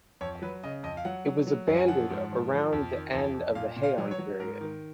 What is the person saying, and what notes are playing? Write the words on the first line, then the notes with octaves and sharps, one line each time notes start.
It was abandoned around the end of the Heian period.
F2 C#5
F#3 B4
C#3 D#5
F2 D#5
F5
F#3 F#5
F#3
F#3
F#2
G#5
F3 F#5
G#2
F3
F3
F2
D#3
F2
F2
A#2 F5
A#2
F5
F#3
C#5
F#3
G#2 A#4
D#3